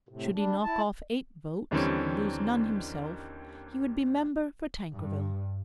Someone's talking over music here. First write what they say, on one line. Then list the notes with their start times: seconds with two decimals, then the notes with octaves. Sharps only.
Should he knock off eight votes and lose none himself, he would be member for Tankerville.
0.09 A2 C3
0.34 G3 D4
0.64 E4 A5
1.71 D#2 D3 E3 G3 C4 C#4
4.94 G2